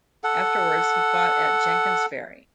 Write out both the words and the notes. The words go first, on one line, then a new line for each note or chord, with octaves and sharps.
Afterwards he fought at Jenkin's Ferry.
A4 F#5